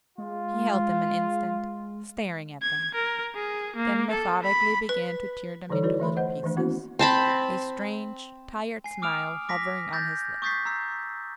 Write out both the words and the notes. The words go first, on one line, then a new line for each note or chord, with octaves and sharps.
He held them an instant, staring at them, then methodically began to tear them into little pieces, a strange, tired smile hovering on his lips.
G#3 F4
G#6
A#4
G#4
A#3
A4
B5
B4
D3 E3 G3 D#4 A4 C#5
E4 F#4 A4 B4 C#5 D5
E3 A3 B5 C6
C5 D#5 F#5
D#3 E3 A3 D4
A#3 B3 C#4 E4 F#4
C4 A5 B5
G#5 C7
D6 D#6 F6 D7 F7
D6 A#6 B6
G6 A6 A#6
C#6 D#6 G6 A6 B6 C7
A#5 E6 C7